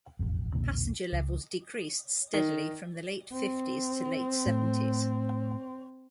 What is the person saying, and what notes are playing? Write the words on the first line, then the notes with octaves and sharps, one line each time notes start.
Passenger levels decreased steadily from the late fifties to late seventies.
E1 A1 F2
B1 E2 A#2 D3
C#2
D#3
C4
A2